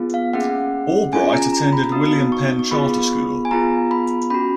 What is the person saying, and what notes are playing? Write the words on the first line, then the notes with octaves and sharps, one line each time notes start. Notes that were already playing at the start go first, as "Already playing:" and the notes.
Albright attended William Penn Charter School.
Already playing: B3 F4 G#4
F5
A#3 C#4 G#4 F#5
C#4 F4 G#4 G#5
A#5
A#5
B5
B3 D#4 F#4 D#6
C#6
C#6
B3 F4 G#4 B5
G#5
B3 F4 G#4 A#5
B5
C#4 F#4 B5